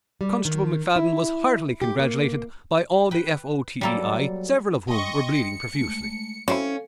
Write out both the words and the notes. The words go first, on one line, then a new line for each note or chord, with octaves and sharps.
Constable MacFadden was heartily congratulated by all the F.O.T.E.I., several of whom were bleeding profusely.
G3
D#3
E4
G4
A#3
B4 G5
F#3 G3 A#3 A4
D#5 G5 C6 C#6
C#7
G#3 A3
F#3 C4 C#4 E4 A4 F5